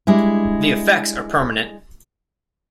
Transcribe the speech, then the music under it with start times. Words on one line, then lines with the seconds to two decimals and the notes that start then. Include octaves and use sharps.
The effects are permanent.
0.07 G3 G#3 D4 E4